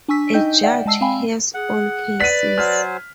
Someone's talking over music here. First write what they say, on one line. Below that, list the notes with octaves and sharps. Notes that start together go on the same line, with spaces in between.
A judge hears all cases.
D4 G#5 C#6 E6 B6
D#4 D#5 G5 G6
D5 E5 F#5 G5
G#3 D#5 A5 E6 C7
C4 F5 G5 G#5 B5
G#4 F#5
B4 D5 B6 D#7
F#3 C5 G#5 F6